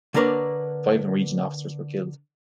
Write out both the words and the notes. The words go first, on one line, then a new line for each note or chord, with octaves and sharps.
Five Norwegian officers were killed.
D3 A#3 D4 A#4 B4 C#5